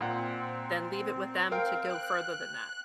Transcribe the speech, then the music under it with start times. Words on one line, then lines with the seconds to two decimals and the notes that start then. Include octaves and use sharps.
then leave it with them to go further than that.
0.01 A#2 C4 F#5 G5
1.51 A#4 F5 G5
1.89 F#6